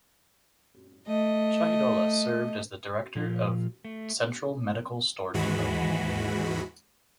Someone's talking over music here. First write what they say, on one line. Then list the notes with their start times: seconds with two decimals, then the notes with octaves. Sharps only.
Shahidullah served as the Director of Central Medical Store Depot.
1.07 A3 D#5
3.15 A#2 F3 F4
3.85 A3
5.34 D#2 G#2 E3 G#3 F#4 B5